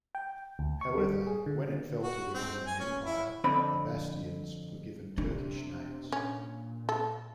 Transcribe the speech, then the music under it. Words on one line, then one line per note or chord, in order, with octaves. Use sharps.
However, when it fell to the Ottoman Empire, the bastions were given Turkish names.
G5
D2
C#6
G3
G#4
D3
F#4
C4
G#5
C#4
E4
F2 D3 C4 B5
C3 D4
A#2 C#4
A4